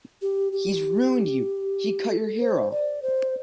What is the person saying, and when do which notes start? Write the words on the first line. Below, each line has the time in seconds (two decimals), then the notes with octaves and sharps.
'He's "ruined" you-he cut your hair off!
0.22 G4
0.52 G4
2.09 A4
2.40 C5
2.71 D5
3.02 C5